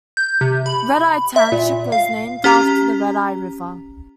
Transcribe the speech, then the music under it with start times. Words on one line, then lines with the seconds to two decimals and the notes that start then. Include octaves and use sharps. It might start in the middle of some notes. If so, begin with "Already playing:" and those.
Red Eye Township was named after the Redeye River.
0.17 G6
0.41 C3
0.66 B5
1.36 E5
1.52 A#2
1.92 F5
2.44 C#4 G4 A#5